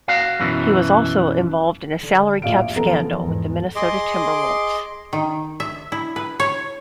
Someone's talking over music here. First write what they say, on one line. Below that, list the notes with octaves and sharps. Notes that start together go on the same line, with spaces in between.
He was also involved in a salary cap scandal with the Minnesota Timberwolves.
F#4 F5
F#2 B2 E3
D3
A#1 F2 A2 F5 D7
E3 F3 B3 A4 A#5
E2 G#2
G#4 D#5 C6 D6
D#3
E5
E4
B4
C#5